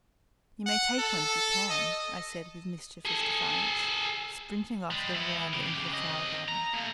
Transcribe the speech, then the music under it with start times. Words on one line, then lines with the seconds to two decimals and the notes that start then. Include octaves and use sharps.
"You may take one if you can," I said with mischievous defiance, springing off the veranda into the flower-garden.
0.66 F#5
0.99 A4
1.70 D#5
3.05 G#4 A4
4.91 G3 G#3
5.15 B3 E4
5.53 C#3 G4
5.94 C4 D#5
6.48 A#5
6.74 A3 A#3